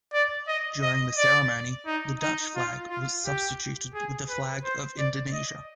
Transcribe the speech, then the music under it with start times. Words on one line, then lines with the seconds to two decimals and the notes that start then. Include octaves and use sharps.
During the ceremony, the Dutch flag was substituted with the Flag of Indonesia.
0.13 D5
0.48 D#5
0.82 D#5
1.18 D5
1.86 D#4
2.21 D#4
2.56 F4
2.90 F4
3.26 G4
3.94 G#4
4.29 B4
4.64 C5
4.99 D5
5.33 D#5